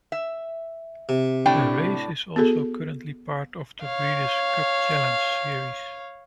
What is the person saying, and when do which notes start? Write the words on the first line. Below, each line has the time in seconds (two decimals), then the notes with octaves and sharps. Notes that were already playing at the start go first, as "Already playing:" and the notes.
The race is also currently part of the Breeders' Cup Challenge series.
0.12 E5
1.09 C3
1.46 A2 D4 G5
2.36 B3 F#4 G#4 A4
3.82 C#5 F5